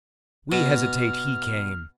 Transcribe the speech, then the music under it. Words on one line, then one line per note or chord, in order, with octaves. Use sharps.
We hesitated, he came!
B2 F6